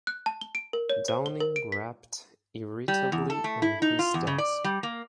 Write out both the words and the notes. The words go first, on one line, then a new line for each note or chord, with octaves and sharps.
Downing rapped irritably on his desk.
F#6
A5
G7
D7
A#4
C#5
C5
G7
A#4
D7
B6
G3
E2
A4
A3
E4
D#4
F4
E2
C#3
D5
G3
A#3